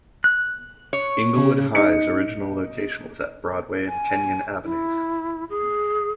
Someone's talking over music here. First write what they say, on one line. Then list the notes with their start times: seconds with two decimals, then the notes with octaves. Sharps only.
Englewood High's original location was at Broadway and Kenyon Avenues.
0.24 F#6
0.93 C#5
1.34 C#3
1.75 D#4 C#7
3.88 G#5
4.64 E4
5.50 G#4